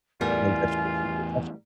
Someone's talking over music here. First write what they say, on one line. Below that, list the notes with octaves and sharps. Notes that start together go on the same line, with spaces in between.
keep in touch you keep in touch
E2 A2 E3 G3 B3 F4 A#4 G#5